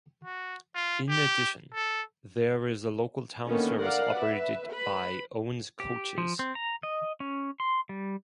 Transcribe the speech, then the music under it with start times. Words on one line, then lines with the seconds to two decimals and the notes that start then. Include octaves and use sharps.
In addition there is a local town service operated by Owen's Coaches.
0.25 F#4
0.75 F4
1.09 G4
1.74 A4
3.47 D3 D#3 A#3 B3 C#4
3.82 A#4 D5 F5 F#5
4.14 B4 E5
4.72 B4 B5
5.80 G4
6.18 F3
6.39 C4
6.55 A#5
6.83 D#5
7.20 C#4
7.60 C6
7.89 G3